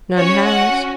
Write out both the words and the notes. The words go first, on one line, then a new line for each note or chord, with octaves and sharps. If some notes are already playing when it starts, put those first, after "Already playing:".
"None has."
C#4 F#4 C#5
F#5